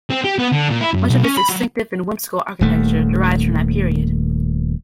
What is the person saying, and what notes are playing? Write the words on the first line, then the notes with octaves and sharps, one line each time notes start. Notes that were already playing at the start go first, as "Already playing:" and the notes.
Much of its distinctive and whimsical architecture derives from that period.
C4
G4
B3
D3
A#2
E4
F#2
B1
C#4
B5
F#3
D#1 D#2 A3